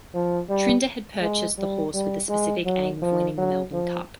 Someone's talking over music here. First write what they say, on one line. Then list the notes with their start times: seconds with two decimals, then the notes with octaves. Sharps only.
Trinder had purchased the horse with the specific aim of winning the Melbourne Cup.
0.14 F3
0.49 G3
1.21 G#3
1.58 G3
1.94 G3
2.29 G#3
2.65 F#3
3.02 F3
3.38 F#3
3.73 F3